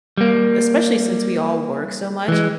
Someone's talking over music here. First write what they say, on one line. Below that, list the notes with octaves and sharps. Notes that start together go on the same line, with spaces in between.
especially since we all work so much,
G3 A#3
E3 G#3